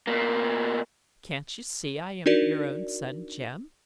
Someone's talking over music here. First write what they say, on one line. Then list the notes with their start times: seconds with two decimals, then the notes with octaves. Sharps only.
Can't you see I am your own son Jem?'
0.07 B2 A#3
2.26 D4 D#4 F#4 A#4 D5